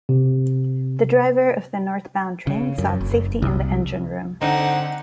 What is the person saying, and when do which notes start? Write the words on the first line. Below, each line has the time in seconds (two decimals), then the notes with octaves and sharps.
The driver of the northbound train sought safety in the engine room.
0.09 C3
2.47 C#3
2.78 F#2
3.01 F#1
3.42 C2
4.41 D3 C4 D#4 F#5